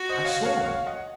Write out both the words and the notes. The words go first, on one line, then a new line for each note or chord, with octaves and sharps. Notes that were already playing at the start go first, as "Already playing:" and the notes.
"I saw them."
Already playing: F#4
C5 D#5
C#5 F5
C#5 F5
F#5
C#5 F5
D#5 F#5